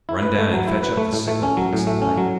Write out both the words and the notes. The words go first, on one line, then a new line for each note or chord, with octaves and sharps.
"Run down and fetch up the signal-book," said I.
E4
B4
A3
F#3
E4
B4
A3
A2
A3
C#4
F#3
A2
A3
C#4
F#3